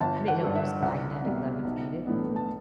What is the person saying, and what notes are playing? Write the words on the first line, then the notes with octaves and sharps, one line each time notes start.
I didn't know it was magnetic levitated, mm.
G1 A5
F#5
G2 F#3
E5
C2 F#5
B2 G3 C4
B1
A2 E3 B3 D4
A5